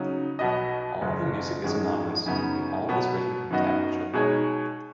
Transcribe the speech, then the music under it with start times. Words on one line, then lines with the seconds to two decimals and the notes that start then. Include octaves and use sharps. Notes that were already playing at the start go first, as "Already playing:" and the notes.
All of the music is anonymous, and all is written in tablature.
Already playing: C#3 F#3 D#4
0.39 B1 B2 B3 F#4 D#5
1.01 F#1 F#2 C#3
1.64 G#1 F#2 D#3 G#3
2.26 F#2 C#3 B3 D#4
2.88 B2 F#3 B3
3.50 F#2 D#3 B3 F#4 D#5
4.13 B2 G#3 D#4 G#4 C#5